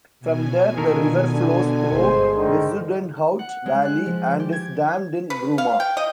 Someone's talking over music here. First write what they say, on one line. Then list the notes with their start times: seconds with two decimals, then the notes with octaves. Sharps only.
From there the river flows through Bezuidenhout Valley and is dammed in Bruma.
0.20 B2 G#5
0.77 A#2 D#3 A4 A#4
1.31 D3
1.92 G1 G#3 C5
2.34 D3 D#3
3.39 F#5
3.66 G#3
3.85 F#6
4.06 F3
4.40 G4
4.52 G#6
5.30 B4
5.58 F5
5.80 G5
5.97 D#5